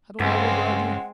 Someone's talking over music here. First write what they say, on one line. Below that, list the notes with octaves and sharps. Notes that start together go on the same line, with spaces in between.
How do I regard you?
C#2 G2 G#3 C4 F#5